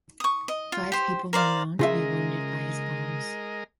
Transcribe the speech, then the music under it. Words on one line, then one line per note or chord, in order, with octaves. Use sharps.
Five people were known to be wounded by his bombs.
C#6 D#6
D#5
F4
G4 C5
A#4 C5 D5 F5
C#3 G#3 F4 A#4 D#5 E5